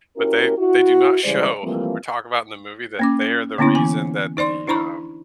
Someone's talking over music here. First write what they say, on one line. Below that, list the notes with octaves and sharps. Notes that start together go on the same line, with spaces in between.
but they they do not show or talk about in the movie that they are the reason that the, um,
C#4 E4 F#4 G4 A#4
E4 F#4
C#3 E3 G3 G#3 C5 D5
E3 F3 G3 A3 A#3 C4
A#3 C#4 D6
D3 A#3 B3 C#4 E4 B5
E3 G#5
D#4 C5 D5 C6
D4 E4 C5 A#5 B5 C#6